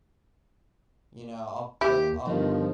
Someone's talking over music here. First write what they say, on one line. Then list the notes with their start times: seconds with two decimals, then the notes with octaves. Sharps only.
you know, I'll put I'll
1.81 D#2 E4 G4
2.27 G1 D#3 F3